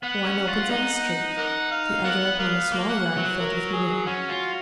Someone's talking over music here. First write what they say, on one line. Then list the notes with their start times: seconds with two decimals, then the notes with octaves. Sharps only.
One opens on the street, the other upon a small yard filled with manure.
0.03 B3 F#5
0.25 C#4
0.48 F4
0.70 D#4
1.38 A#4 F#5
1.71 F5
2.04 B3 A#4 F#5
2.39 A#4 F5
2.72 A#3
2.89 F#5
3.05 F#5
3.17 F#3
3.22 F#5
3.40 A#4
3.73 G#4
4.06 C#4 F#4
4.29 F4